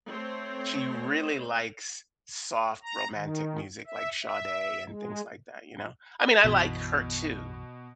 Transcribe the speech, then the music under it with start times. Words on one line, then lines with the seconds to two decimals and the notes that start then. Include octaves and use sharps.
she really likes soft, romantic music like Sade and things like that, you know. I mean, I like her too,
0.10 A3 C4 C5 C#5
2.83 A#5
3.13 D#3
3.87 E5
4.23 E5
4.86 G#3
6.44 B1 F#2 B2 E3 B6